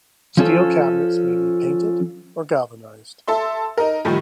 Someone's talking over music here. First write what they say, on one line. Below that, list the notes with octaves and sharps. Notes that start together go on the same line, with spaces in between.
Steel cabinets may be painted or galvanized.
F3 C#4 A4
A4 E5 C6
D#4 A#4
A2 D#3 F3 G3